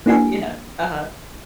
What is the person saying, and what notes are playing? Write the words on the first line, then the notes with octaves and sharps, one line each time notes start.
yeah, uh-huh.
A#3 D4 E4 F#4 G#5